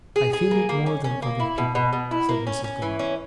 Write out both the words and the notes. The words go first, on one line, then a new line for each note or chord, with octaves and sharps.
'I feel it more than other people,' said Mrs. Gummidge.
G#4
G#4
A#3
A#3
C#4
C#4
A#3
E4
B2
B2
B2
E4
A#3
C#4
C#4
E3
C#4